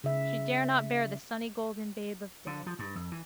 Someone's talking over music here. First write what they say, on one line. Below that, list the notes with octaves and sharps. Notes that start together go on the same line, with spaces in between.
She dare not bear the sunnygolden babe of day.
C#3 E5
D3
F3
G2
F2
E3